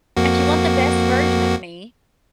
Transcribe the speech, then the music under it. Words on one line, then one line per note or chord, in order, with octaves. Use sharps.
if you want the best version of me,
F2 A#3 F#4